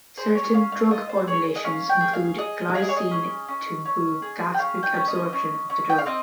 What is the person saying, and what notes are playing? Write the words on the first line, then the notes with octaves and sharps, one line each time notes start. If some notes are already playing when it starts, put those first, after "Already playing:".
Certain drug formulations include glycine to improve gastric absorption of the drug.
G#4 C5
C#5
C#4 F5
F5
F4 D#5
C5
G#4 C#5
D#5
C#4 F5
G5
G#4
F5
G#4 D#5
G#4 F5
D#5
C#5
D#5
C#4
C#4
C#4
G#4
G5
C#4 F5
G5
C#4
D#5
C#4
C#4
G5
F5
C4 D#5